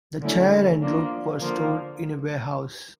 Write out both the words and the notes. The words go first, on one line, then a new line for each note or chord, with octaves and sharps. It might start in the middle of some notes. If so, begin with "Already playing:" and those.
The chair and rope were stored in a ware- house.
D3 F#3 A3 C#4 E4
F3 A#3 D4
D3 F3 A#3